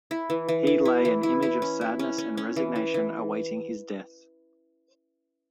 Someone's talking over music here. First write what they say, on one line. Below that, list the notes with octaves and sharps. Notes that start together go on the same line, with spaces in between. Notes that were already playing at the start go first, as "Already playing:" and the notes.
He lay an image of sadness and resignation awaiting his death.
E4
E3
E3
E3
E4
E3
E4
E4
C#4
E4
C#4
C#4
C#4
E3
E3
E3